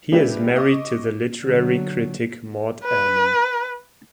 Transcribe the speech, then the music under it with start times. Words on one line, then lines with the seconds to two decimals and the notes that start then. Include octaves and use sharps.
He is married to the literary critic Maud Ellmann.
0.12 G#3 A#3 D4 E4 G4 B4
0.56 D#5 C#6 D6
1.44 D3 F#3
2.84 B4